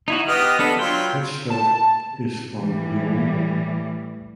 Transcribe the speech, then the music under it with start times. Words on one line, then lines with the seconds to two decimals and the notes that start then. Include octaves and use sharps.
Hatzfeld is from Lyon.
0.08 D#4 E4 F#4
0.28 B3 G4 D#5 F6
0.59 B3 D4 A4 B5
0.79 F#3 F4 G5
1.50 A5
2.58 A2 E3 G3